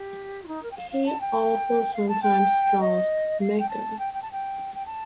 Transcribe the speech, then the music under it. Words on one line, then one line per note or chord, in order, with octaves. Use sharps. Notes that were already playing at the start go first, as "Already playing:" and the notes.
He also sometimes draws mecha.
Already playing: G4
F4
D#4
A#4
G5
F5
F5
A5
G5
F5
A5
G5
D#5
F5
G5
A5
G5
G5
A5
G5
G5
A5